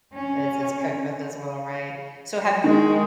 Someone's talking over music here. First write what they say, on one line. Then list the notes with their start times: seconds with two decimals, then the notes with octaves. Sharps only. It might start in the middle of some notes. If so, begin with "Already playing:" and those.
It's it's cooked with as well, right? So have y
0.14 C#4
2.64 D#3 G#3